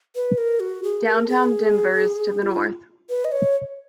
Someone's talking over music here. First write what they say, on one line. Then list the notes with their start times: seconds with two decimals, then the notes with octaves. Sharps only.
Downtown Denver is to the north.
0.16 B4
0.38 A#4
0.60 F#4
0.83 G#4
1.06 A#4
1.28 G#4
2.42 F4
3.09 B4
3.25 D#5
3.32 C#5